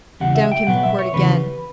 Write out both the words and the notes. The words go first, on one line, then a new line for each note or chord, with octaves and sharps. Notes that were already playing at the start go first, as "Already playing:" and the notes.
Down came the quirt again.
E2 C#3 G3 F#5
E5
G5
B2 F#3 B3 F#5
E5
C#5
E2 C#3 E3 G3 B3 B4